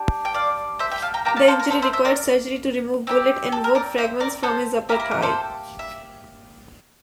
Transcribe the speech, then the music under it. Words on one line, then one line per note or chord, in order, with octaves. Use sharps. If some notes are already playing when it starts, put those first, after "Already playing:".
The injury required surgery to remove bullet and wood fragments from his upper thigh.
Already playing: D4 G4
G5
D5 F5
C5 E5
E5 G5
F5 A5
G5 A#5
A#3 E4 G4 G5 A#5
F5 A5
A4 C5
A#4
A4 C5
C5 E5
C5 E5
A#4 D5
C4 E4 G4
A4
A#4
A#4 D5
C5 E5
A#4 D5
A4 C5
A#3 E4 G4 A#4
A#4
A#4
A4 C5
E5